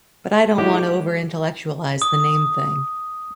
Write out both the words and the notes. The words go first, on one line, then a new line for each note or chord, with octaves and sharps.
But I don't want to over-intellectualize the name thing.
G#3 E4 F#4 G4
D#6